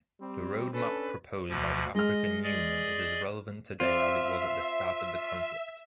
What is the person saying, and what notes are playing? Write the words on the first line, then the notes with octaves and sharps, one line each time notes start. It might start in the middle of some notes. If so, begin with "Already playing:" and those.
The roadmap proposed by the African Union is as relevant today as it was at the start of the conflict.
G3 C4
C#4 D4 A4 B4
D2 B2 F3
G#3 D#5 F6
G#4 D5 D#5
C4 F4 D5 E5 F5